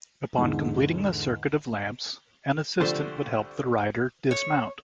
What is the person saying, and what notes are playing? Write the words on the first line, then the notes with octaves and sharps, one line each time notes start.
Upon completing the circuit of lamps, an assistant would help the rider dismount.
E2 G#2 D3
C2 D3 F3 G3 A3 C5
C#5